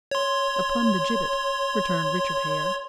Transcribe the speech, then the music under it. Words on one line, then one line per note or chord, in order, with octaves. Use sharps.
"Upon the gibbet," returned Richard Hare.
C#5 C6